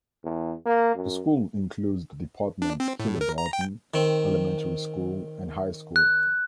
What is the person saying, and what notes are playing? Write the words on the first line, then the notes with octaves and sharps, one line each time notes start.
The school includes the departments kindergarten, elementary school, and high school.
E2
A#3
F#2
D4
C4
A2
A#4
A#5
G5
D#3 C4
F#6